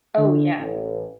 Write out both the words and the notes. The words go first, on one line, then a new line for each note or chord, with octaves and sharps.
Oh, yeah.
D3
A1